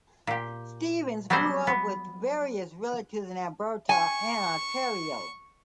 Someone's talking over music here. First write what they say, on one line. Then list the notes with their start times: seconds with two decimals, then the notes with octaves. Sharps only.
Stevens grew up with various relatives in Alberta and Ontario.
0.27 A#2 G4
1.30 F#3 G3 B3 C4 G#4 C5
1.67 B3
3.89 G#5 C#6